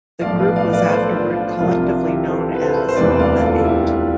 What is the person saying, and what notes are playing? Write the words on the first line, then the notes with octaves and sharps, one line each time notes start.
The group was afterward collectively known as The Eight.
B1 A2 F3 D5 F5
B4 D5
D5 F5
B4 D5
A4 C5
D4 F4
D4 F4
C2 C3 F3 D4 F4
D4
E4 G4
A4 C5
B4
A4 C5
C5
E1 D2 C3 E3 B4 D5
D5 F5
F4 A4
E4 G4
D4 F4